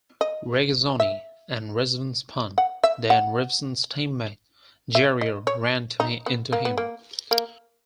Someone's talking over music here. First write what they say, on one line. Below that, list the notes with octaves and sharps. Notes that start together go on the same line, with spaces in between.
Regazzoni and Resvon spun, then Revson's team-mate, Jarier ran into him.
D#5
E5
F#5
E5
F#5
E5
D#5
C#5
D#4
B3
A#3
B3
A#3
A#3